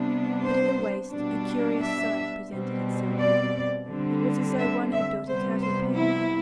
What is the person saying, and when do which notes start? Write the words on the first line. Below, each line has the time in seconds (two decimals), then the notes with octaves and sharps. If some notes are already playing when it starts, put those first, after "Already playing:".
But in the waist a curious sight presented itself. It was as though one had built a cattle-pen there.
Already playing: C3 G3 B3 D4
0.42 C5
1.11 B2 G3 D4
1.81 E5
2.50 B2 G3 C4
3.19 D5
3.88 D3 G3 C4
4.58 E5
4.92 E5
5.27 C3 G3 B3 C5
5.62 C5
5.96 E4